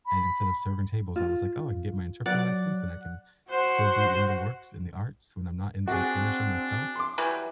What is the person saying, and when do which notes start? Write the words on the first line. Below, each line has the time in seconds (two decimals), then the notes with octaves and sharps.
and instead of serving tables, I was, like, "Oh, I can get my interpreter license, and I can still be in the works, in the arts when I'm not in, like, in a show, myself,
0.06 B5
1.16 F4
2.26 F#3 D5 F#5
3.49 F#4 C5 F#5
5.88 C4 D4 F#4 G#4
6.96 C6 D6
7.18 E3 F#3 G3